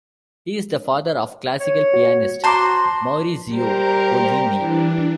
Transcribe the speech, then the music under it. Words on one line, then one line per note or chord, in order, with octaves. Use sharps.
He is the father of classical pianist Maurizio Pollini.
C#5
F#4
F#4 C5 A5 A#5 C6 D6
G3 G4 A#4 C5 A#5
E3 D4